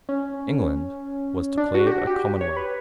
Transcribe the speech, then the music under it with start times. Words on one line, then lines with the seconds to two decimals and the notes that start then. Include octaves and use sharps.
England was declared a commonwealth.
0.09 C#4
1.58 D4
1.75 F#4
1.87 G4
1.92 F#4
2.07 G4
2.41 C#5
2.56 B4